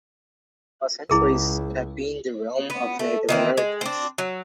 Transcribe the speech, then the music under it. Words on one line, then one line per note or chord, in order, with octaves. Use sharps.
For centuries, it had been the realm of Native Americans.
C#2 E4 G#4 A#4
B3
A3
D#3 E3 C4
G#3
C4 D4
F#3